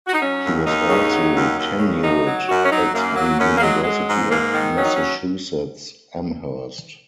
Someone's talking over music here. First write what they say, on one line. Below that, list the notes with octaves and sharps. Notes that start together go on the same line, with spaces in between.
He was also tenured at the University of Massachusetts Amherst.
F#4
D#4
F#3 C#4
D#2
D#2 D#4
C#3
F#3
D#2
D#2
C#3
F#2 D#4
F#3
F#2 F#4
C#4
F#3 D#4
F#2 A#3
F#3
F#2 C#4
A#3
F#3 G#3
F#3 G#3
G#2
G#2 A#3
D#3
F#3 C#4
D#4
C#4